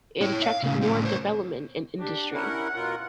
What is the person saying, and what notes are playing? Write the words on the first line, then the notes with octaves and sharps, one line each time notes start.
It attracted more development and industry.
E4 C#5
E5 F5
A2 C#3
A2 C4
C5 C#5
D4 G4
C#4 E4 A#4 F#5
B2 F4 A#4